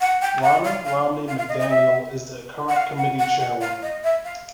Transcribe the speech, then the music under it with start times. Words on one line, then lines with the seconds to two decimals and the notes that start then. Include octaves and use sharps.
Ronna Romney McDaniel is the current committee chairwoman.
0.01 F#5
0.22 G5
0.43 F#5
0.64 F5
0.85 F5
1.28 F5
1.38 F5
1.49 D#5
1.60 D#5
1.70 E5
2.69 F#5
2.76 F5
2.98 F#5
3.19 F#5
3.40 F#5
3.61 F5
3.82 D#5
4.04 E5
4.25 F5